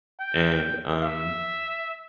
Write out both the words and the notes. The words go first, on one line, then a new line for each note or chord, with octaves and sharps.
And, um,
G5
E5